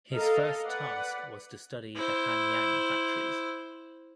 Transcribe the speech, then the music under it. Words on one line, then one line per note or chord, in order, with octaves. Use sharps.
His first task was to study the Hanyang factories.
A4 A#4 D#5 F5
B4 D5 F#5
E4 C5